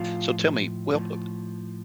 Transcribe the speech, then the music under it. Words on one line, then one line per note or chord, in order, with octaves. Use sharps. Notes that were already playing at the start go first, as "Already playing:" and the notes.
So, tell me well, oh
Already playing: A2 F3 F4
A2 F3